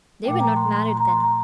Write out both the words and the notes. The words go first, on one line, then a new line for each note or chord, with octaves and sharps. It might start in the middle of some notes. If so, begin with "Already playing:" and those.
They were not married then.
A#2 F3 A3 G5
A#5
C6
C6
A#5
A#5
C6
A#5